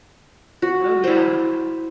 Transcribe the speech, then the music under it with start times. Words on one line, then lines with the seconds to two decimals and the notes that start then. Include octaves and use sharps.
Oh, yeah.
0.62 F#4
1.04 E4 C5